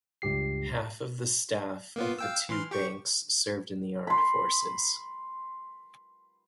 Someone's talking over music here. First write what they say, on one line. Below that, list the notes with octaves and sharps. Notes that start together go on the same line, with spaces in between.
Half of the staff of the two banks served in the armed forces.
C#2 G2 G4 C7
A#3 B3 F4
F5 G5 E6
E3 C6 F6
G4 G5 C#6
B5 C6